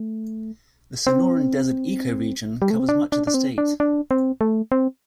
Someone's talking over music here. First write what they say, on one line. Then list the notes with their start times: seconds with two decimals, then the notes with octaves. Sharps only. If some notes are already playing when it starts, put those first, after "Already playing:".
The Sonoran Desert ecoregion covers much of the state.
Already playing: A3
1.07 C4
2.62 G3
2.70 A3
2.80 C4
2.89 D4
3.12 D4
3.27 D4
3.34 C4
3.58 D4
3.80 D4
4.11 C4
4.41 A3
4.72 C4